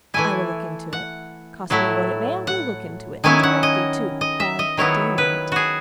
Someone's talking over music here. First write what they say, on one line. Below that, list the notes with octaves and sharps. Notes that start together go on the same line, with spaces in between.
I will look into it--cost me what it may, I will look into it--and directly too--by daylight.
E3 A3 E4 G#5
F#5
A2 F#3 A3 E4
F#5
D#3 F#3 C#4 E4 G#5
F#5
D#5
D#5
E5
D#5
D#3 F#3 B3 E4 C#5
B4
F#4 G#4